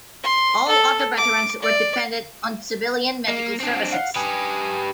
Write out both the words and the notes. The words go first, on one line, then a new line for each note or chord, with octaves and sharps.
All other veterans were dependent on civilian medical services.
C6
A4
D6
D5
A#3
C4 D4
F5 F#5
G4 B4 G#5 D#6